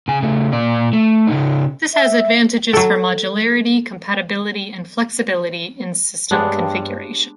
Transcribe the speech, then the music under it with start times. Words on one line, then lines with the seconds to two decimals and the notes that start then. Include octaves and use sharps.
This has advantages for modularity, compatibility, and flexibility in system configuration.
0.08 C#3 G#5
0.23 C#3 A3
0.52 A#2 D5
0.93 A3
1.27 C#3 D#4
1.94 E5
2.73 F#3 A4
6.31 G2 G#3 B3 D4 G4 C#5